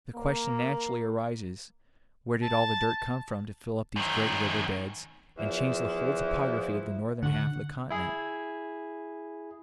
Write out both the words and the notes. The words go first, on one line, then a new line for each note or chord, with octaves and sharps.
The question naturally arises, Where did all the dirt come from to fill up these great river beds and change the whole topography of the northern half of the continent?
A#3
A5
F#2 D#3
E2 F3 E4
D3 F#5
E4 G#4